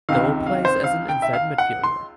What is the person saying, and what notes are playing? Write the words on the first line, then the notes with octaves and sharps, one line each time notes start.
Dow plays as an inside midfielder.
C#2 C3 D#3 F5
F5
C5
F5
G5
E5
F5
F#5
C6